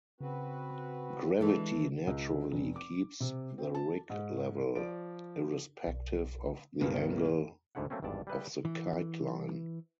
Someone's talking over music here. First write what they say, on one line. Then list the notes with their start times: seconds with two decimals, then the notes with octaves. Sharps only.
Gravity naturally keeps the rig level, irrespective of the angle of the kite line.
0.21 C#3 C4 F#4 B4
1.41 E3 G#3 D4 A4
2.07 C#2
2.52 F1
2.76 D6
3.20 C3
3.58 C4
3.75 A5
4.10 G#2
4.75 F3 D5 D7
5.87 B1
6.80 C#2 G2 B2 D#3 A#3 B3
7.75 D2 G#2 D3 A3 E4 F#5
7.90 F#3 A3 A#3 C4 C#4
8.03 G#1 E2 G2 D5 A5
8.27 G3 G#4 B4 E5
8.65 E3